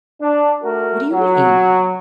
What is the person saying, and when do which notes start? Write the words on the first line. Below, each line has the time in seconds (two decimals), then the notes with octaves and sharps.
"What do you mean?"
0.21 D4
0.63 A3 F#4 A#4
1.11 F#3